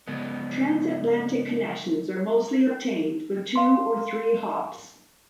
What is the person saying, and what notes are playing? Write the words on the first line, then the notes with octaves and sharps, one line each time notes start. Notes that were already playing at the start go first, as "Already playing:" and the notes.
Transatlantic connections are mostly obtained with two or three hops.
C#3 G#3 B3
F5 C6